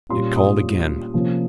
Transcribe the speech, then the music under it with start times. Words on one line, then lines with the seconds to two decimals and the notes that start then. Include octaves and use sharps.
It called again.
0.09 A#2 G3 C#4 C6
0.36 D#6
1.13 C3 F3 A#3 C#4